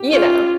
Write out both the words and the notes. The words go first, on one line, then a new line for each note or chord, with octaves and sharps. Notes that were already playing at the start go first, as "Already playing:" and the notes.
you know,
Already playing: G4
C#4 F4